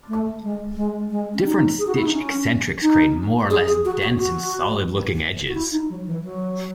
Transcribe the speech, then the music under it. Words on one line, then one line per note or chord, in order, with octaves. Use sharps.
Different stitch eccentrics create more or less dense and solid-looking edges.
A3
G#3
G#3
G#3
C#4
D#4
G#4
F#4
E4
D#4
C#4
D#4
G#4
G#4
F#4
F#4
F#4
F#4
E4
D#4
F#3
E3
F#3